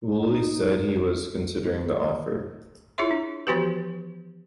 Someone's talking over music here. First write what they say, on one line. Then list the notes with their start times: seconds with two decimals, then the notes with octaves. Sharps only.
Woolley said he was considering the offer.
0.16 D#4
2.98 E4 F4 G#4 C#5 E5 C6
3.11 D4
3.47 E3 F3 B3 F#4 G4 B4